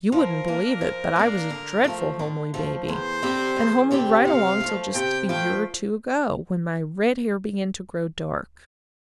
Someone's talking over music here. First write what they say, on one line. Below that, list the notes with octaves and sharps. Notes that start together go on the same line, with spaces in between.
You wouldn't believe it, but I was a dreadful homely baby, and homely right along till just a year or two ago, when my red hair began to grow dark.
F3 A#4
A#3 D4
F3
A#3 D4
D3
F3 A3
D3
F3 A3
E2 C5
D3 G3 C4 G4
E2
D3 G3 C4 G4
C3 F5
F3 A3
C3 G5
F3 A3 G5